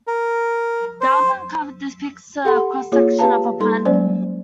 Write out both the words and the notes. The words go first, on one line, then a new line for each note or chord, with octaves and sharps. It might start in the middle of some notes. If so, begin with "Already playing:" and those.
The album cover depicts a cross section of a pineapple.
A#4
C5
G4 A4 F#5 B5 C6
A#3 F4 G#4 C#5
G4 B4 F5 A5 A#5
G3 D#4 A4 C6
F#3 G#3 A#3 C#4 C5 D5